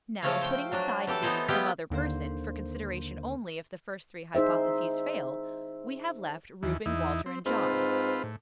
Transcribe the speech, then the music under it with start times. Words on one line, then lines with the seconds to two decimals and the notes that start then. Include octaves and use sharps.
Now, putting aside the 'some other person' for consideration only if the first three hypotheses fail, we have left, Reuben, Walter, and John.
0.22 C#3 F3 A3 C#5 F5
0.41 C5 G5
0.72 F#3 D4 F#4
1.07 E3 G4 A4 A5
1.22 E3 B3 D#4 E4 C5
1.48 G3 G#3 B3 E4 F4 G4
1.90 D#2 D3 A#3 C5
4.35 D#4 G#4 C5 E5
6.63 D#2 E3
6.86 E2 D#4 E4
7.26 C4
7.46 G#2 C4 F4 B4
8.23 A2